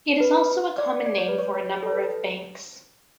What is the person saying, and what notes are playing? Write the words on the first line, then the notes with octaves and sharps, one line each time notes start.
It is also a common name for a number of banks.
B4
D5
D5
C#5
B4
C#5
A4
B4